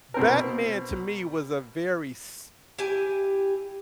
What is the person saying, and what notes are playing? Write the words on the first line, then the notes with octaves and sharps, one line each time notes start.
Batman to me was a very s
B2 C4 A#4
E4 G4 G#5